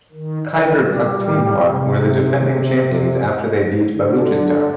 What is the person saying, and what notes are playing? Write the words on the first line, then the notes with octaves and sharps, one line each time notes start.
Khyber Pakhtunkhwa were the defending champions after they beat Baluchistan.
D#3
D3
A#2 G3
A2
C3
D3
G#3
F#3